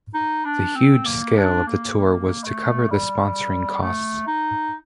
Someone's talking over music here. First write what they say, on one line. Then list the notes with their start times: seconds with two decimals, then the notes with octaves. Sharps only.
The huge scale of the tour was to cover the sponsoring costs.
0.14 D#4
0.45 D4
0.75 C4
1.05 A#3
1.37 D4
1.67 A#3
1.97 A#3
2.44 A3
2.90 G3
3.82 A3
4.27 D#4